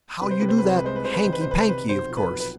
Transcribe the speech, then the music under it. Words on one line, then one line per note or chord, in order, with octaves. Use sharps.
"How you do that hanky-panky, of course."
C3 B4
C5
C3 B4
C5
B4
C2
C5
B4
G#3 C5
B4
C3 C5
B4
D#3 C5
B4
C5
C3 B4
C5
C3 B4
B1 C5
F3
B4
B1
B4